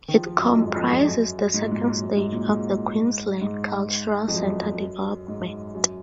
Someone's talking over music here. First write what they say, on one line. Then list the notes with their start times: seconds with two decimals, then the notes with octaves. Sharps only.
It comprises the second stage of the Queensland Cultural Centre development.
0.08 D#3
0.14 F3
0.26 F3
0.37 F#2
0.49 F2
0.61 G#2
0.76 F2
0.92 F2
1.08 F#2
1.54 G#2
1.63 A#2
1.71 G#2
2.01 F#2
2.17 G#2
2.33 A#2
2.48 G#2
3.41 G#2
4.28 F2
4.34 F#2
5.28 G#2
5.75 F#2